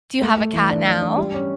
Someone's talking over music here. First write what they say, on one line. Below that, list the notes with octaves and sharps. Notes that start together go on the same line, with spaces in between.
do you have a cat now?
A3
A3
E3
D4
D4
D4
G3
C#4